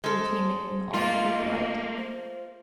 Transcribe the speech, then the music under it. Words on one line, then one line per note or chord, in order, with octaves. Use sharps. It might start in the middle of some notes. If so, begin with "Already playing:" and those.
You came in and all grew bright.
G#3 A4 C5
A3 A#3 F4 D#5
C5